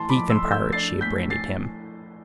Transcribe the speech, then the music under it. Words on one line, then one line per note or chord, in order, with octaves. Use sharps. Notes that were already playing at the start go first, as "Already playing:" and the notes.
Thief and pirate she had branded him.
Already playing: A2 E3 A5 C6
B5 D6
F2
C6 E6
A3
E6 G6
D4 A6 C7
A2 G6 B6
A6 C7